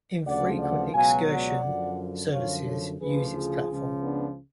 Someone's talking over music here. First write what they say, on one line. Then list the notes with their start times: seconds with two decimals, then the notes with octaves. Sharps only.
Infrequent excursion services use its platform.
0.25 D2 C#3 F3 D5 F#5
0.59 D5 F#5
0.93 C#2 B2 F#3 F5 G#5
1.28 D5 F#5
1.62 F#2 D3 F3
2.31 F#2 D3 F3 C#5 F5
2.66 A4 C#5
3.00 D2 C#3 F3 G#4 B4
3.34 F4 G#4
3.68 C#2 C#3 F3
4.02 B3 D4